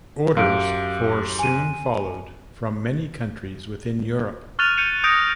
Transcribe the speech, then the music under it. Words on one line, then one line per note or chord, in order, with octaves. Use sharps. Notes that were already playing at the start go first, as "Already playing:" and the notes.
Orders for soon followed from many countries within Europe.
F#2 G4 F5 D7
G#5 D#7
C#6 F6 F#6 A6 D#7 F7
G6 C#7 D#7 F7
D#6 G6 A#6 D7